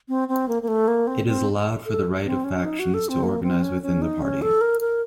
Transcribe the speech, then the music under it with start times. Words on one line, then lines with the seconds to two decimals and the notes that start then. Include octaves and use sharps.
It allowed for the right of factions to organise within the Party.
0.08 C4
0.28 C4
0.48 A#3
0.62 A#3
0.68 A3
0.88 A#3
1.07 C4
1.27 C4
1.86 A4
2.25 C4
2.44 C#4
2.64 D#4
2.79 F#4
2.94 A4
3.09 C4
3.23 A#3
3.43 C4
3.62 C#4
3.82 C#4
4.02 D#4
4.22 C#4
4.42 A4
4.61 A#4
4.81 A#4